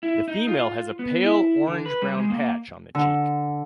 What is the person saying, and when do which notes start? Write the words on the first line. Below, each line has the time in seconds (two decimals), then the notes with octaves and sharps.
The female has a pale orange-brown patch on the cheek.
0.03 E4
0.28 D#4
0.48 F4
0.99 B3
1.24 E4
1.67 D3
1.86 B4
2.02 G3
2.17 G#3
2.30 A#3
2.95 D3